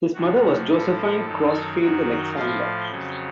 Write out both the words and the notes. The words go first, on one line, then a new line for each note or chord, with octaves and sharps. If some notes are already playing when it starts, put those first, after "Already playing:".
His mother was Josephine Crosfield Alexander.
F2 C3 F3 F#4
A2 F3 A4
F#2 D#3 F#3
F#2 D#3 F#3 F#4
A2 F3 F4
F2 C#3 F#3